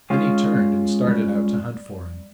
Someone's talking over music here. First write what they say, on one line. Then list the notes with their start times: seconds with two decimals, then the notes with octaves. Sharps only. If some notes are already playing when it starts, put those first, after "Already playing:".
Then he turned and started out to hunt for him.
0.10 G#3 C#4 F4
1.07 G3